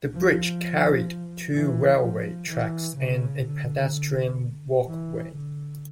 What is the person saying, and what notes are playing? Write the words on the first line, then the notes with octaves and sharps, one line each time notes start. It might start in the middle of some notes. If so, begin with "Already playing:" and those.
The bridge carried two railway tracks and a pedestrian walkway.
F3
E3
F3
E3
C#3
D3
E3
D3